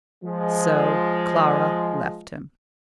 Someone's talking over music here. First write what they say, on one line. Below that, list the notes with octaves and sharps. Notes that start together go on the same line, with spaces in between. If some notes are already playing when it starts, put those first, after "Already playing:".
So Clara left him.
F3 G#3